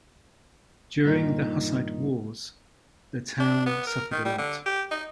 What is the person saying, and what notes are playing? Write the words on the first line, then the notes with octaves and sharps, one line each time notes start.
During the Hussite wars the town suffered a lot.
G2 A#2 D#3 D#4
D4
B3
A#4
D#3
G3
D3
G4
D#4